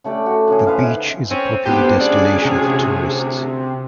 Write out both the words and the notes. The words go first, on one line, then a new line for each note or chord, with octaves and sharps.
The beach is a popular destination for tourists.
C#3 A3 G4 D5
F#4
A2 C#3 G#4
G#4 B4 C5 F5
D#4 E5
C4 C#4
D2 B3 G4 C5
C#4 G#4 D5
C3